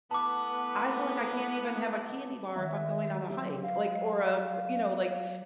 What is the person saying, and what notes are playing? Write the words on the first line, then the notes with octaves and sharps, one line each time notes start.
I feel like I can't even have a candy bar if I'm going on a hike, like, or a gr you know, like,
E3 A3 B3 A5 D6
D#3 E5
F#3 G4
F5